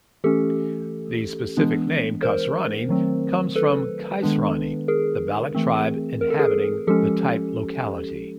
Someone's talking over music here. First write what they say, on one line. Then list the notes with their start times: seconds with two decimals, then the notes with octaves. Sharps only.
The specific name "kasrani" comes from Qaisrani, the Baloch tribe inhabiting the type locality.
0.24 E3 A3 C#4 G4 A4
1.57 E3 G#3 B3 D4
2.23 A#4 C5
2.89 D#3 F#3 A3 C4
3.56 A4 B4
4.22 D#3 G#3 B3 D4
4.88 G#4 A#4
5.55 E3 A3 C4
6.21 A#4
6.30 A4
6.39 G#4 A#4
6.87 F3 G#3 C#4 G4 A4